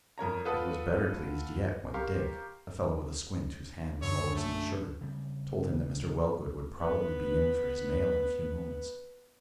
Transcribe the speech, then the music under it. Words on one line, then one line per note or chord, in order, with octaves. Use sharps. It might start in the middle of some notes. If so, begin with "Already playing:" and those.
But he was better pleased yet when Dick--a fellow with a squint whose hand was always in the sugar--told him that Mr. Wellgood would probably be in for his mail in a few moments.
F2 A#4 C#5 A#5
F4 A4 B4 F#5 A5 D#6
G4 A#4 F5 C6 C#6
F#2 D3 C#5
A3
C#3 G3 C4
B3 B4